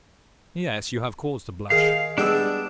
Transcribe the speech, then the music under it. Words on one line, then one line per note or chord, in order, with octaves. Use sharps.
Yes; you have cause to blush.
D#3 G#4 F5
G3 G#3 B3 D4 E6